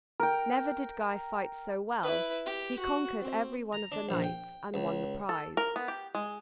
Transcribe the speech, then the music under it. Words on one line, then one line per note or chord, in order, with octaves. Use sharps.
Never did Guy fight so well; he conquered every one of the knights, and won the prize.
A#4 G5
E4 B4
G4
F#4
C4
A#5
D4
A#1
G5
C#2
A4
A#4
B3
G4
G#3